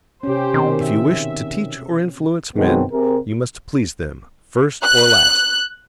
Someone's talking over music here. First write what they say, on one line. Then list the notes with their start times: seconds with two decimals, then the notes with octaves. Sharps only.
If you wish to teach or influence men, you must please them, first or last.
0.23 C3 C#4 G4 C5
0.54 B2 D#3 C4
0.85 E5
2.56 B2 D#3 F#3 G#3 B3 C4
2.92 C3 G#4 A#4
4.83 F#6